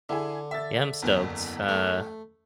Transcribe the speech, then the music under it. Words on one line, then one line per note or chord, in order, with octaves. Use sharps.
Yeah, I'm stoked. Uh.
D3 E4 G#4
E5 A6
F#1 E2
A3